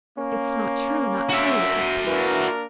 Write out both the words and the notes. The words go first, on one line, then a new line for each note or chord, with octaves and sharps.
"It's not true, not true!" cried Pierre.
A#3 C#4
F#4 E5
E3 A#3 D4 A#4